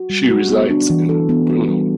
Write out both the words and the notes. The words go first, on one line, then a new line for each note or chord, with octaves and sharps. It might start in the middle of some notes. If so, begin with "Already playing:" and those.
She resides in Brno.
Already playing: F#4
G3
F#4
B3
D4
E3
A4
B3
F#4
G3